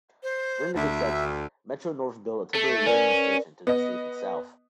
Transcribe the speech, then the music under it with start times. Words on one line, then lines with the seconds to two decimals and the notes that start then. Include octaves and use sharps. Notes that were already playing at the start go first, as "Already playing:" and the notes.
During the construction, Metro-North built a temporary wooden station to the station's south.
0.23 C5
0.76 D2 E5
2.55 A3
2.86 C#4 A#4 B4 D5
3.67 B3 D#5